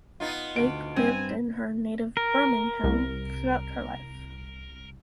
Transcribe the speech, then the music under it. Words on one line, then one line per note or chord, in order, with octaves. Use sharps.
Blake lived in her native Birmingham throughout her life.
B3 D#4 F4
D2 D7
G2 C4 G#5
A#4
C2